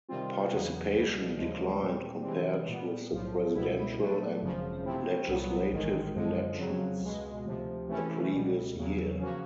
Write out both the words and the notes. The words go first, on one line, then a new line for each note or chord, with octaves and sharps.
Participation declined compared with the presidential and legislative elections the previous year.
C3 D#3 G3 C4 F4
E2 C#3 F#3 B3
C#2 B2 G3
D#2 C#3 F3 G#3
A#2 G3 C4
C3 E3 G#3 C4
A#2 G3 B3
B1 A2 F3
C#2 B2 G3 B3 E4
A#2 F#3 A3 D4
G#1 F#2 C#3 F3
C3 F3 A3 C4 E4
C2 A#2 F#3 B3
A1 G#2 D#3 G#3
F#2 D3 F3 G#3
F2 C#3 F#3
C#2 B2 G#3
D2 C3 F3
C3 E3 A3 C#4 E4
C#2 B2 G3
E2 C#3 F#3
C#3 F3 A#3 C#4 F#4